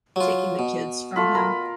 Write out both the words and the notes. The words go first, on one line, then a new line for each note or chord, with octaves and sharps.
taking the kids from him.
F#3 F4
B2
A3 F4 B5
A#4 B5